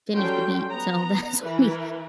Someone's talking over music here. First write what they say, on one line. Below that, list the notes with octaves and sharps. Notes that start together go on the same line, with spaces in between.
finish the beat, so, that's on me,
F#3 G3 C#4 A4 G5 C6
B3 A#5
E3 E4 A#4 B4